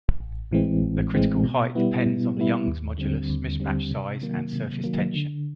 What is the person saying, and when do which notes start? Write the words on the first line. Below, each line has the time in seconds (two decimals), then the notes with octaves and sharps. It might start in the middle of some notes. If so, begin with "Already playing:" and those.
The critical height depends on the Young's modulus, mismatch size, and surface tension.
0.20 A1
0.51 A2 E3 G#3 C4
0.82 A1
1.14 A2 E3 G#3 C4
1.44 B2
1.75 G3 B3 E4
2.06 B2
2.37 G3 B3 E4
2.67 D#2
2.98 D3 G3 C4
3.29 D#2
3.60 D3 G3 C4
3.91 C3
4.22 D#3 F#3 A#3
4.53 C3
4.84 D#3 F#3 A#3
5.14 D3